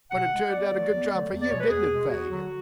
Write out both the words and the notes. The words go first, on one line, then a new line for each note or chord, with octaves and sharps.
But it turned out a good job for you; didn't it, Fagin!
B2 F#5
G#3
E2 D5
D3 F#3 A3
E2
D3 F#3 A3
E2
D5
B2 G#3 C#5
B4
E2 G#4
B2 G#3
E2 F#4
D3 F#3